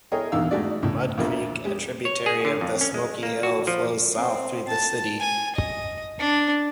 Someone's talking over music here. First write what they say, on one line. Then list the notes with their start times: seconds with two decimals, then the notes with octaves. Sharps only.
Mud Creek, a tributary of the Smoky Hill, flows south through the city.
0.12 E4 G#4 A#4 C#5 D#5 G5
0.32 A#1 E2 D#3 F5 E6
0.51 G#2 G#3 A3 F#4 D5
0.82 C#2 A2
1.18 A#1 F2 E3 A#3 E4 F4
1.65 G#3 G4
2.05 C#5
2.26 G#4
2.45 D3
2.61 F2
2.81 C#4
2.94 G#3
3.23 A#3
3.43 F#4
3.67 F3
4.16 C4
4.68 A5
5.20 G#5
5.56 D#5
6.19 D4